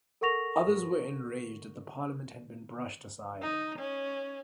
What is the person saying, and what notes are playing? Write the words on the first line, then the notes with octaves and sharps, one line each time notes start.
Others were enraged that the parliament had been brushed aside.
A4 A#4 F#5 C#6 A#6 F7
D#4
C#4